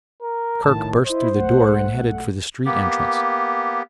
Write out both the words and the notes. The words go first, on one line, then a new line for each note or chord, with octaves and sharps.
Kerk burst through the door and headed for the street entrance.
A#4
A#1 A2 D#3 A5
E4 C5 D#5
B1 A3 F#5
A#3 B3 G4